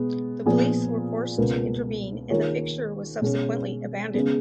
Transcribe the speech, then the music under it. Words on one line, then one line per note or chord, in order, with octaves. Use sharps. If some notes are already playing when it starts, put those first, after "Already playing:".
The police were forced to intervene and the fixture was subsequently abandoned.
Already playing: B2 G#3 B3
A#2 F3 B3 F4 G#4
C#2 B2 A#3 F4 B4
D#3 A#3 F4 G#4 C#5
B2 G#3 C#4
C#3 G#3 B3